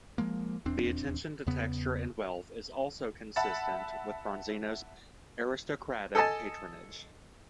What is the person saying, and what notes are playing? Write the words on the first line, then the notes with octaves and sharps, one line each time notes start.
The attention to texture and wealth is also consistent with Bronzino's aristocratic patronage.
F3 G#3 A#3
D#1 E2 C4 D4
E2 C#3 B3
E5 F#5 A5 B5 A6
A4 D#5 G#5 A5